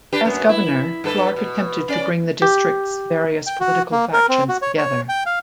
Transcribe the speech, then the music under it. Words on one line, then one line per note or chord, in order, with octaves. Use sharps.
As governor, Clark attempted to bring the district's various political factions together.
D4 G4 B4
F#2 B3
E4
G2 A4 B4
B2
C#4 D5
G4
G5
F#4
A#3
A#4
C4
F#4
C#5
C#5
G5
F5